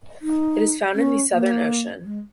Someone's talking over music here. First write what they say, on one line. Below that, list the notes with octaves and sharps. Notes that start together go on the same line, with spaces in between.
It is found in the Southern Ocean.
D#4
C#4
A#3
G#3